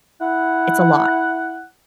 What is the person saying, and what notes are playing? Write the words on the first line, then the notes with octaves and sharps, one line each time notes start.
it's a lot.
E4 F#5